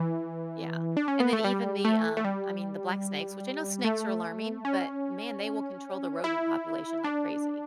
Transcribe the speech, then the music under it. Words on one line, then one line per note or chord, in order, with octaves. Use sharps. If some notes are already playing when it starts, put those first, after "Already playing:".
Yeah. And, then, even the um, I mean, the black snakes which I know snakes are alarming, but, man, they will control the rodent population like crazy.
Already playing: E3
D4
C#4
B3
A3
G3
A3
A3
G3
A3
C#4
E4
D4